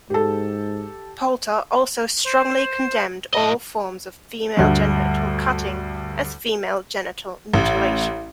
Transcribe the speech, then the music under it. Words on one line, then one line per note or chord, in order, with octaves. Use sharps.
Poulter also strongly condemned all forms of female genital cutting as female genital mutilation.
G#2 G4 A4
C5
A2 D#5
D2 G2
A1